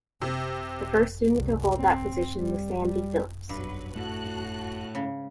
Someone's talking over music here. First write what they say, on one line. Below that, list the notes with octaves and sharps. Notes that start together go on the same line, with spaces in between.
The first student to hold that position was Sandy Phillips.
C3
C2
C4
G3
G3
B1 G2 F#3 B4
A2 F#4 A5 F#6
G#2 C#3